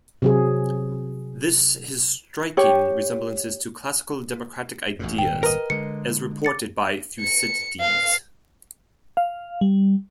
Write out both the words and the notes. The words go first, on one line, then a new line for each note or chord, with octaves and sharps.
This has striking resemblances to classical democratic ideas, as reported by Thucydides.
C3 F#3 G#4
G4 C#5
A1 F#2 A2
D#1 G#1 B2 G5
A#4 B4 D#5
D3 G#3 C#7
D6 A6 C#7
C#7
F5
F5
G3